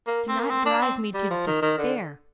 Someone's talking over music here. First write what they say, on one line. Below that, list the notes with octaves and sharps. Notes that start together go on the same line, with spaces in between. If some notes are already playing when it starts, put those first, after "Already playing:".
Do not drive me to despair.
A#3
C4
A#3
C4
D4
C4
G3
F3
D#3
D#3
D3